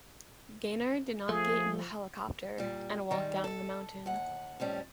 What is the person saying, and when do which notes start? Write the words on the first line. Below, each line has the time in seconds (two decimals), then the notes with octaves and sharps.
Gaynor did not get in the helicopter, and walked down the mountain.
1.29 F3 A3 G#4
2.58 A#2 G3
3.11 D#3 G3 G#3
3.44 A4
4.06 D#2 F#5
4.60 F2 A2 G3 C#4